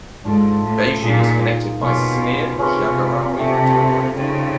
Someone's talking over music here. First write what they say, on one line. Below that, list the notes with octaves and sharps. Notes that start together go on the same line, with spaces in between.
Beji is connected by Cinere–Jagorawi Toll Road.
G#2 D4 F4 A4
A2
A#2 A#3 D#4 G#4
B2 A#3 C#4 F4
C3 C#4 F4 G#4 B4
C3 A3 D4 G4
C#3 G3 C4 D#4